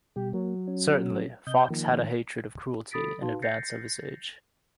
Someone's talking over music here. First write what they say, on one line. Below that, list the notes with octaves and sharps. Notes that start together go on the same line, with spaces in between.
Certainly, Foxe had a hatred of cruelty in advance of his age.
B2 G3 G4
F#3 A#3
C#4
C3 D#5 G6
D#3 F3 A#3
A4 B5 D#6 A6 B6 D7
D#4 F#4 B4 F5 A5 C6
G6 A6 A#6 C7 C#7